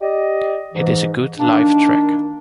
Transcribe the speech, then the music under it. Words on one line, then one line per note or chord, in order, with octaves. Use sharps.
It is a good live track.
G4 D5 D#5
G#2 E3
D#3 A#3 D4